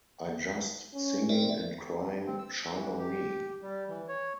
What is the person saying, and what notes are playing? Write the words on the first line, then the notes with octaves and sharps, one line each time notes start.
I just singing and crying 'Shine on Me'...
C#4
C4 A#4 D5 E5
C4
E6
E3
G4
G3
E3
C#5